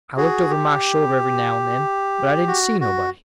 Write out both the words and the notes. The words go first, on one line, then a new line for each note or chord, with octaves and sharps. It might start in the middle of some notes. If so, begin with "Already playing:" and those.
I looked over my shoulder every now and then, but I didn't see nobody.
F#4 G#4
G4
F#4
F#4